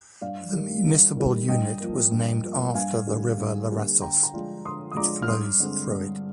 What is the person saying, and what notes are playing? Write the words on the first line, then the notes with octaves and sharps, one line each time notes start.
The municipal unit was named after the river Larissos, which flows through it.
G2 D5 F5
D#3 G3
G2
D#3 G3
G2 D#5 G5
F3 A#3
G2
F3 A#3
G2 F5 G#5
D3 G3 A#3
G2
D3 G3 A#3
D3 G5 A#5
G5 A#5
F3 G#3 D4 F4
D3 C6 D#6
D#6
F3 G#3 D4 F4 A#5 D6
F6
G2 C6 D#6
D3 G#3 C4
G2